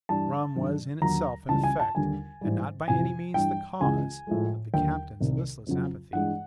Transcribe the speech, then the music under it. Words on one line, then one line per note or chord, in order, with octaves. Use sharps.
Rum was in itself an effect, and not by any means the cause of the Captain's listless apathy.
G2 E3 G3 A5
G2 D#3 F#3
D#2 D3 F#3 A#5
C#2 C#3 E3 G3 A5
G#5
A5
D#2 D3 G3 G#5
G#2 E3 G3
F2 C3 E3 G#5
G2 E3 G3 G5
C#2 C#3 E3 G#3 G#5
A2 F3 G#3
D#2 D3 F#3 G5
C2 C3 D#3
F2 C#3 F#3
G2 E3 G#3 F#5